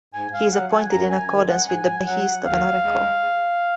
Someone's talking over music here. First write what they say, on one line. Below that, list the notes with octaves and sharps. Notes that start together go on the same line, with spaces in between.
He is appointed in accordance with the behest of an oracle.
G#2 G#5
F5
F#3 F#5
G#5
F#2 A#5
G#5
D#3 G#3 G#5
F#5
G#2 G#5
F#3 F#5
D#2 F5
G#3